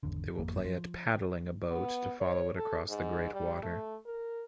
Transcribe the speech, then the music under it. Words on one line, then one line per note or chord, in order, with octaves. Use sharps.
They will play at paddling a boat to follow it across the great water.
G#1 E2 D3
G#1 F2 A#3
F3
B3
C#5
A4
G#2
G3
A3
A#4